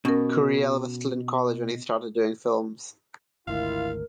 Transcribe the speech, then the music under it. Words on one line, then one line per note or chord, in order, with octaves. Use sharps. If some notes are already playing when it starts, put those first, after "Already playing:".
Curiel was still in college when he started doing films.
B2 C#4 A#4
G#1 D2 E4 F4 A#4 F5